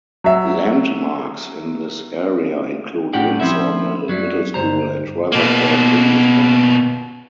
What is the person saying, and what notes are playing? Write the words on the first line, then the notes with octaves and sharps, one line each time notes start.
Landmarks in this area include Windsor Mill Middle School and Rutherford Business Park.
F#3 E5
A2 D4 G4 F#5 G5
F3 C4 C#4 E4
F#2 F#3 G3
D2 G2 D#3 C5 A#5
B2 A#3